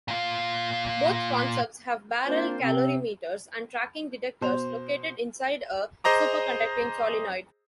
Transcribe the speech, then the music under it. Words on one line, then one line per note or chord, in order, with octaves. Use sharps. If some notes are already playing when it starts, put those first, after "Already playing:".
Both concepts have barrel calorimeters and tracking detectors located inside a superconducting solenoid.
A#2 F4
A#3 C4 D4 F4 A#4 C5
C3 C4
B2 C5 F7
G#4 C5 D#5 A#5 D6